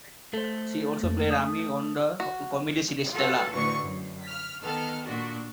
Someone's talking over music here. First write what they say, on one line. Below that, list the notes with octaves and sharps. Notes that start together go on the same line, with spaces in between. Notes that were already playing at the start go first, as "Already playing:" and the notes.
She also played Amy on the comedy series "Stella".
A3 A4 C5
F2 A#3
D#6
F#4
F4 F#4 A4 B4 F5 F#5
D2 A2 D3 E3 C#6
F#2
F6 B6
D#3 B3 A4 F6
A#2 D4 F#4